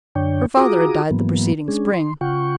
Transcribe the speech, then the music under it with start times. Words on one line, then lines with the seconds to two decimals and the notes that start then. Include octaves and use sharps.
Her father had died the preceding spring.
0.15 F#2 D3 D4 C#5 G5
0.57 F4 F#4 G#4 A#5 D6 D#6
1.11 G#2 E3 F#3 A#3 B3
1.68 G#3 C#4 D4 G#4
1.93 C6
2.21 C#3 F4 F#5 G5 C#6